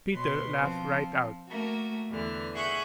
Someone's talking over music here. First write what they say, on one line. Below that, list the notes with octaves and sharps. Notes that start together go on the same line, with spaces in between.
Peter laughed right out.
B2 B4 C#5 C6
F3 C4
A3 A#3 F#4
E2 D3 E3 F6
G#4 E5 F#5 C#6 F#6 G6